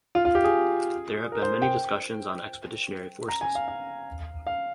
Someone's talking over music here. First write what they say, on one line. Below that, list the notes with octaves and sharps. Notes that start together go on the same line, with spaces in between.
There have been many discussions on expeditionary forces.
F4
F4
G4
G#4
A#4
C5
G5
A#5
G#5
F5
F5
F5